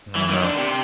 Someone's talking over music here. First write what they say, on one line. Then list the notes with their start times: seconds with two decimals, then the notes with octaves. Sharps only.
Oh, no.
0.15 E3
0.30 D#3
0.43 D3
0.58 C3